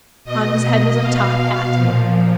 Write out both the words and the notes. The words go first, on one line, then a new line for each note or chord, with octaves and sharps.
On his head was a top-hat.
B2 D#5
B2 F5
A#2 F3